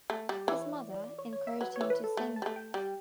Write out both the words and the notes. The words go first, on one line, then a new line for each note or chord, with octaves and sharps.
His mother encouraged him to sing.
A3
G3
E3 B4
C#5
D5
D5
D5
C#5
C#5
E5
F#3 B4
C#5
E3
B4
A4
A3
A5
G3
A3
G5
G3 G5